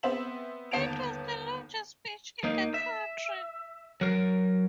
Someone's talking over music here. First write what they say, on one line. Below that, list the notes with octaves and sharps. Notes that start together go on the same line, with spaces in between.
It was the largest beach in the county.
B3 C4 C5 E5 E7 F#7
G1 D#2 B3 A5 D7 F7
A#3 D#4
E5
F#3 A#4